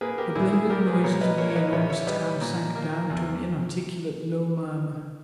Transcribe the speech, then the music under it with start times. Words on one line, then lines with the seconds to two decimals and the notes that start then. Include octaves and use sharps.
The blended noises of the enormous town sank down to an inarticulate low murmur.
0.01 A#3 G#4 B4
0.18 G4 A#4
0.35 A#1 E4 G#4
0.52 E4 G#4
0.70 G3 G4 A#4
0.81 A#4
0.87 G#4 B4
1.04 A#2 A#4 C#5
1.21 B4 D#5
1.38 A#3 A#4 C#5
1.50 C#5
1.55 B4 D#5
1.72 A#1 C#5 E5
1.90 C#5 E5
2.07 G3 B4 D#5
2.41 A#2
2.75 A#3
3.10 E2